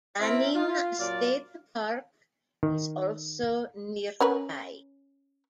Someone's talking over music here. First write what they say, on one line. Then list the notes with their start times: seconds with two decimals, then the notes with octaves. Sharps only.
Banning State Park is also nearby.
0.20 C4 E4 A#4
0.54 F4
0.99 F#2 A#2 F#3 F4 D5
2.63 D#3
4.20 C#4 A#4 B4